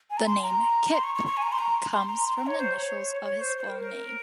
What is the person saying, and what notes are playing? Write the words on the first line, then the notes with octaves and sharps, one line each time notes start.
The name "Kip" comes from the initials of his full name.
G#5
A#5
C6
A#5
C6
C#6
C#6
C#6
G#5
A#5
C6
A#5
C6
A#5
C6
A#5
C#5
C5
C#5
C#5
C5
C5
A#4
A#4